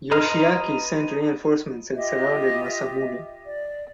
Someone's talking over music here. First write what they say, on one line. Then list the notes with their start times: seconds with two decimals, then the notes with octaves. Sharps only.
Yoshiaki sent reinforcements and surrounded Masamune.
0.11 B4 D#5 A#5 C6 F6
1.95 F4 G4 D#5 E5
3.46 D5